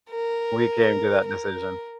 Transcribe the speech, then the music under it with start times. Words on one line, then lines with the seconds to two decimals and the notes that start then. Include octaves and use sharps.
we came to that decision.
0.10 A#4
1.26 A#4